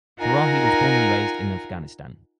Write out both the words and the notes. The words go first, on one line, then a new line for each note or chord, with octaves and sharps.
Farahi was born and raised in Afghanistan.
D#4 F4 A#4 F#5 G#5 A#5